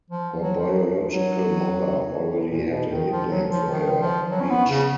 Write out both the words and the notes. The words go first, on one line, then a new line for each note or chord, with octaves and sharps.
Her biological mother already had a nickname for her, beach.
F3
F#3
F3
F#3
F#3
A#2
B2
D#3
F3
F#3
F3
D#3
F3
F#3
C#4
B3
C#3